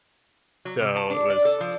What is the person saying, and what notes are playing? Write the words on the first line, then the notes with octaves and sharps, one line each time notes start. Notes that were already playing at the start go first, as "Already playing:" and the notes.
So, it was
F#3
C3
A5
D4
D5
A4
F3